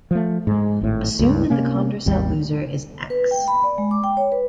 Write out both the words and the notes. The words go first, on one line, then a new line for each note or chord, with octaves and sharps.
Assume that the Condorcet loser is X.
F3 A3
G#2 G#3
G#1 A2
C#2 G2
C3 A#3 C#4
G#1 D#2 G3
B4
G5
B5
D5
G#3
D6
G5
C#5
B4